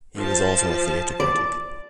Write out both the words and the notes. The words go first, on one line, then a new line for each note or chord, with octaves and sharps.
He was also a theatre critic.
F3 A5
D5